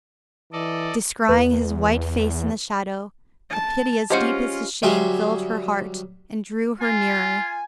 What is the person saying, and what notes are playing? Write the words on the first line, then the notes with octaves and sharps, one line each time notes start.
Descrying his white face in the shadow, a pity as deep as his shame filled her heart and drew her nearer.
E3 A4 D5 D#5
E2 B4
A5
G#3 C#4 F4 G4 C5 F#5
D2 F#3 G3 E5 G#5 C6
F4 G#5